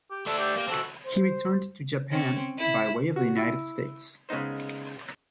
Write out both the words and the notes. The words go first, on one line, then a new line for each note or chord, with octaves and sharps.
He returned to Japan by way of the United States.
G4
A3 D4 A4
G4
A#3 G4
C4 F#4 A4
C5
C4 C#4
E4
F#4
E4
C#3 G#3 B3 D#4 C5